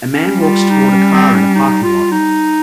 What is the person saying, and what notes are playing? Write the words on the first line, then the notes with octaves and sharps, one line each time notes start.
A man walks toward a car in a parking lot.
C#4
G3
F4
D#4
C#4
C4
C#4
D#4
F4
D#4